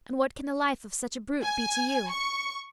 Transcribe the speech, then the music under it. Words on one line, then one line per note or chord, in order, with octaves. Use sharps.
And what can the life of such a brute be to you?'
G#5
C#6